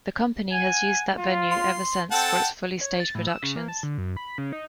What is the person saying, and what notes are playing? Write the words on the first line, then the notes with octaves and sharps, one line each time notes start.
The company has used that venue ever since for its fully staged productions.
F#5 G#5
F4
C6
C4 A4 F#5 G5 A5
C#5
A6
A2
E6
C#3
A#3
A5
D3
F#2
B5
C#3
D#4